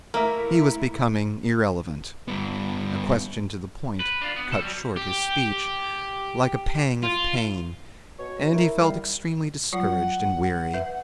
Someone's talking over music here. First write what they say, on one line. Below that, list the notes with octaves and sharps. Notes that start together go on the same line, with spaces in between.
He was becoming irrelevant; a question to the point cut short his speech, like a pang of pain, and he felt extremely discouraged and weary.
A3 A#3 E4 A#4 E5
G2 B3
B4
D4 F4
B3
B2 A4
F#3 G3
G4
F4
B2 C#5
D#4 E4 A#4
G3 F5
F#3 G3 F4 F#5
F#5
B4 E5